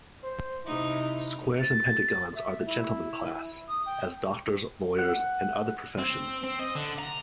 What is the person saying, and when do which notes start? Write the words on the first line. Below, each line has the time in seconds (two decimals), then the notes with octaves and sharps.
Squares and Pentagons are the "gentlemen" class, as doctors, lawyers, and other professions.
0.24 C5
0.66 C3 D#4 E4
1.60 A6
2.35 E5
2.66 E4
3.68 D#6
3.86 G5
4.98 F#5
5.99 C4
6.43 C4
6.59 D#5
6.75 D3
6.99 A#5